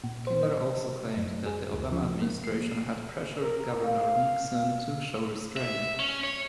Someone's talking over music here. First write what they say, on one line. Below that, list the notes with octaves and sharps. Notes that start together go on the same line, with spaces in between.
Kinder also claimed that the Obama administration had pressured Governor Nixon to show restraint.
A#2
C5
D#5
F#2
G#4
D2
F3
A#3
C7
A#4
F5
E5
C#4
C#5